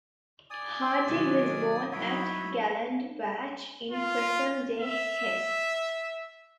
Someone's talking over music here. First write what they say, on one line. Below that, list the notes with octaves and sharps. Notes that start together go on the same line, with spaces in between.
Hartig was born at Gladenbach, in present-day Hesse.
D5 G#5 D#6
B2 D#3 F#3
F#3 D#4 E4 C#5 B5
F4
E5